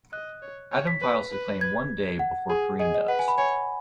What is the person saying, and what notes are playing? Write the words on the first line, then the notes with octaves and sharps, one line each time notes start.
Adam files his claim one day before Kareem does.
D#5 F#6
C#5
C#5
B6
B4
B4
G#6
F#5
G#4
G#4 D#5
D#5
B4 F#5
G#5
B5
C#5 G#5